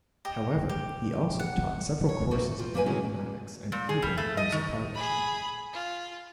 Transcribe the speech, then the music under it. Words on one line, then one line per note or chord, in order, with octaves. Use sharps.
However he also taught several courses of mathematics and even musicology.
G4 D#5
G4
F#5
C#5
A3 A#3 C4 F4 F#4 B4
A2
F4 G5
C3 A#3 C4 G4 B4 G#5
C#3 E3 F#3 G#3 C4 C#4
A#2
G#4
G3
A3
D#5
D#3
G#4 B5
F4